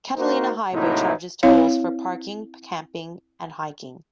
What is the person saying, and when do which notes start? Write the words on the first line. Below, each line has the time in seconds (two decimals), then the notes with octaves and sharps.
Catalina Highway charges tolls for parking, camping, and hiking.
0.16 A#3 D#4 F#4 A#4 C5
0.73 A2 C3 F#3 A#3 D#4 E4
1.43 C4 E4 C#5 F5